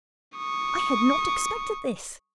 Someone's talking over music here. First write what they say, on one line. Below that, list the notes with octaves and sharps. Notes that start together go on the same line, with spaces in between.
'I had not expected this.
C#6 D#6